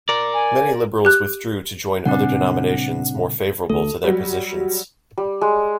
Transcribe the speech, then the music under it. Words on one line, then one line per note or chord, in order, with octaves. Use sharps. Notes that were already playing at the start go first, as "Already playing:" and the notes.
Many liberals withdrew to join other denominations more favorable to their positions.
A#4 D5
G#5
G4 F#6
A#2 C#3 G3 C4 D4 F#5
D2 A3 A4
F#3 G3
G3
G#3